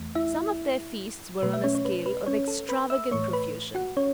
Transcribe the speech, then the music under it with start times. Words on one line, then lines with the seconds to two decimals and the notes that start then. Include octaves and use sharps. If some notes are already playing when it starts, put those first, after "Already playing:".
Some of their feasts were on a scale of extravagant profusion.
Already playing: E2 E3 A3
0.15 E4 E5
1.42 B2 F#3 A3 B4
1.54 E5
1.64 C#4 C#5
1.75 C#5
1.85 B4
2.06 B4
2.26 C#4 C#5
2.48 A4
2.69 B4 B5
2.90 E5 E6
3.11 A2 E3 A3 C#5 C#6
3.33 B4 B5
3.75 F#4 F#5
3.97 C#4 C#5